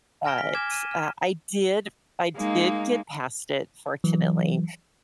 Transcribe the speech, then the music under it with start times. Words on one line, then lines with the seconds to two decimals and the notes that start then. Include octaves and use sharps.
but, uh, I did I did get past it, fortunately.
0.24 G#5 F6 A#6 D7 G7
0.38 B6
0.54 G#5 D6 F6 G#6 E7
0.71 D#7 E7
0.91 F6
2.35 G#3 A#3 D#4
4.04 E3 F#3